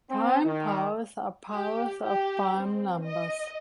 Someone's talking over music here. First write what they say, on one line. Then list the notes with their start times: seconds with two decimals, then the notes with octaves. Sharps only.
Prime powers are powers of prime numbers.
0.10 C4
0.44 D#3
1.53 G4
2.04 G4
2.60 C4
3.05 D#5